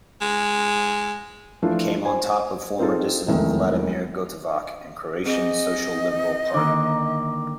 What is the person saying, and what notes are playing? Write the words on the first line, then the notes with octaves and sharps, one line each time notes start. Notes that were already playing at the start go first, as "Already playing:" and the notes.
He came on top of former dissident Vladimir Gotovac and Croatian Social Liberal Party.
G#3
E3 F3 A3 D4 F4
C5 G#5
C4 D#4 F4 G#4 A4
E1 C2 F2 D#3 A3
C4 G#4 D#5
D3 D#3 A#3 D6